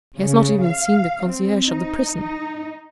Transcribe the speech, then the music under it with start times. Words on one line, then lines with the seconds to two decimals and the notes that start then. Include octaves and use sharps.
"He has not even seen the concierge of the prison."
0.17 C#3
0.63 F5
1.24 C4
1.65 D#4
2.18 D#4